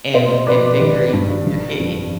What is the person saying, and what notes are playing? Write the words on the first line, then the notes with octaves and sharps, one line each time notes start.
and and figuring your i i
B2 C5 D#5
B2 B4 D5
G#1 G4 B4
G2
G1
F2